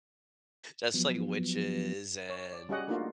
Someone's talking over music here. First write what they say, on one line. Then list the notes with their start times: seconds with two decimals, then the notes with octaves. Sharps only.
just like witches and
0.94 F3 F#3 B3
2.29 C#5
2.53 D5
2.69 G3 C#4 F#4 G#4 D#5 F#5
2.88 A3 A#3 D4 D#4 F4 F#4